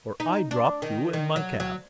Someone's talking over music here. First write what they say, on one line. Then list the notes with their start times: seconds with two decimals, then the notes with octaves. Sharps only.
For I dropped you in my cab.
0.20 D#4
0.51 D4
0.82 D#3
1.13 D#3
1.36 F#3
1.60 F#3